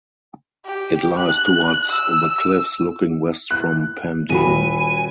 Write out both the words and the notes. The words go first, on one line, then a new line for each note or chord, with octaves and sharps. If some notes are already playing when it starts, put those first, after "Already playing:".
It lies towards the cliffs looking west from Pendeen.
G4
F#6
E6
F#6
D#1 F#4 G#5 B5